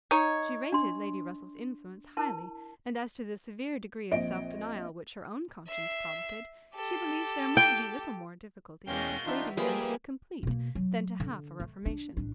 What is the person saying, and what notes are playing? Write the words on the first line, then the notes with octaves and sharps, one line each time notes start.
She rated Lady Russell's influence highly; and as to the severe degree of self-denial which her own conscience prompted, she believed there might be little more difficulty in persuading them to a complete, than to half a reformation.
D#4 C#5
D4 C6
E4 A#4 A5
A#1 C4 D#5 D7
E5 C7
G4 A4
G5
E2 B2 G#3 A#3 C#4 G5 G6
E2 D4 D#4 F4 E5
F3 G3 A#3 E4 G#4 B4 G5 G#5
B2 A#3
F#3
D3
A3
D4
A1 D4